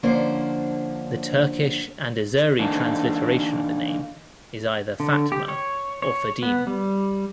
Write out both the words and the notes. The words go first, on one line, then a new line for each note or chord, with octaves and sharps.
The Turkish and Azeri transliteration of the name is either "Fatma" or "Fadime".
D3 F3 A#3 C#4 D4 C5
D3 E3 A#3 D4 D#4
D3
G4
C#5
C#5
B3
G3